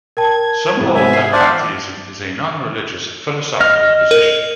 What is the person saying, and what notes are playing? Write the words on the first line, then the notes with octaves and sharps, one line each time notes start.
Some hold that pantheism is a non-religious philosophical position.
A#4 G5 A5 G#6
G#2 C3 B3 E4
C#5 E5 G#5
G#4 C7
D4 C5 D5 E5 F5
D#5 F6
A#4